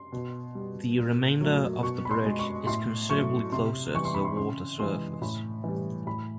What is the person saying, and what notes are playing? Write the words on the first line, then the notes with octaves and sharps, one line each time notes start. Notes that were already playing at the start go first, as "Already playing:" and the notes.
The remainder of the bridge is considerably closer to the water surface.
Already playing: C6
B2
G3
A#2
F#3 A3
B2 C#6
B5
C6
G#3
C#6
A2 C6
F#3 A3 C#6
C3 C6
E3 G3 C#6
C6
B5
C6
C#3 C6
E3 G#3 C6
A2 B5
E3 G3
A2 B5